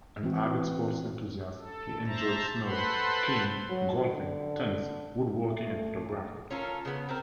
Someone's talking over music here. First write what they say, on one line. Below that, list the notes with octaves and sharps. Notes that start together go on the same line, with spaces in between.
An avid sports enthusiast, he enjoyed snow skiing, golfing, tennis, woodworking and photography.
E3 C4 F#4
A4
C5 E5 A5 A#5
A4 B4 C5 F#5 B5 C6
F#3
D3
A3
C#4 F4 A4 A#4
C#3 B3
C4 A#4